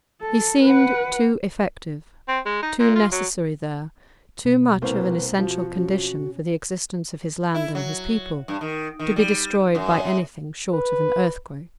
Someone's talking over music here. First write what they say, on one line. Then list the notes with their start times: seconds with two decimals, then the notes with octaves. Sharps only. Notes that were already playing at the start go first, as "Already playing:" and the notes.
He seemed too effective, too necessary there, too much of an essential condition for the existence of his land and his people, to be destroyed by anything short of an earthquake.
0.22 A4
0.63 B4 F#5
2.28 C4
2.45 G#3
2.62 D#4
2.79 A#2
2.95 F4
3.12 F#3
4.45 B2
4.82 C2 A#3 C4 B4 C5
5.39 F3 F#4
5.76 C#4 F#4
7.54 E4
7.75 F#3
8.48 G2
8.61 D#3
8.99 D#3
9.16 G3
9.75 F#2
10.74 B4